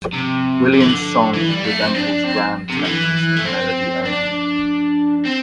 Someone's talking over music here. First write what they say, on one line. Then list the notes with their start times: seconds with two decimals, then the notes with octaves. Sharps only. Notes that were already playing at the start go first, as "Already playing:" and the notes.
Williams' song resembles "Grand Texas" in melody only.
0.13 C3
0.74 D3
0.81 E3
0.89 D3
1.34 E3
1.49 G3
1.64 A3
1.80 C4
1.94 D4
2.24 C4
2.69 C3
2.77 D3
2.84 E3
3.36 A3
3.45 C4
4.05 D4
5.25 C4